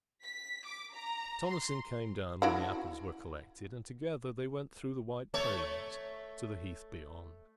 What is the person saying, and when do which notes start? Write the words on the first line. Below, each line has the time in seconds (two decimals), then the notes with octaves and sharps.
Thomasin came down when the apples were collected, and together they went through the white palings to the heath beyond.
0.24 B6
0.66 D6
0.94 A#5
1.49 C6
2.42 E4 F#4 F#5
5.34 A3 A4 C#5